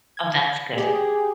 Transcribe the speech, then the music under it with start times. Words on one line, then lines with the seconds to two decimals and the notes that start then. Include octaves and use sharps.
Oh, that's good.
0.17 G#6
0.78 G4 G#4